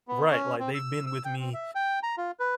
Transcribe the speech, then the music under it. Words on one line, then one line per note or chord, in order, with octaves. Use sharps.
Right, like they've been with me
B3
C#4
C4
E6
E6
G5
C4
E5
G5
A#5
F4
B4